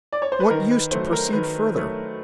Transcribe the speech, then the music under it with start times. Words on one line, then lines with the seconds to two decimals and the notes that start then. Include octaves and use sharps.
What use to proceed further?
0.13 D5
0.22 C#5
0.32 C5
0.40 B4
0.50 D#3 A#4
0.71 B4
0.91 F#3 A3 C5
1.13 A#4
1.33 D#3 B4
1.74 F#3 A3